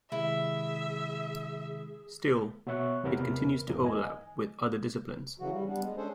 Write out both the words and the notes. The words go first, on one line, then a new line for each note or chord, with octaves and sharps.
Still, it continues to overlap with other disciplines.
C3 D#3 G#3 E4 G#4 E5
B2 B3 C#5 E5 C#6 F#6
E2 C3 B3 A#4 B5 F6
E2 G#2 E3 A#4
D#5 G#5
C#3 E3 F#3 F#4
G3
G3 B3 D4
G#3
C#4 D4 G#4 A4 C5